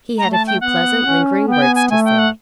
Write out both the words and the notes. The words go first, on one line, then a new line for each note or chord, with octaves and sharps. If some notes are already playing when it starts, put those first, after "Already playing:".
He had a few pleasant, lingering words to say.
A3 A#5
A5
G5
B3 F#5
C#4
B3 G5
G#5
G#5
A3 G#5
G5
F#5